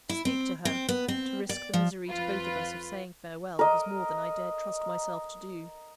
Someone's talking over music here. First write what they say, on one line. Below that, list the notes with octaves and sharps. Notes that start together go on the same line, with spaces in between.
To speak to her, to risk the misery to both of us of saying farewell, was more than I dared trust myself to do.
E4
C4
C4
B3
C4
D5
F3
F2 F4 B4
A#4 D#5